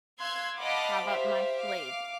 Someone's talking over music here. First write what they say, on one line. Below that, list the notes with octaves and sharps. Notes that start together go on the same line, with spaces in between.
have up my sleeve,
F5 C6 E6 F#6 G#6
D#5 F5 F#5 A5 B5 D6
G4 C5 E5 F5
F5 D6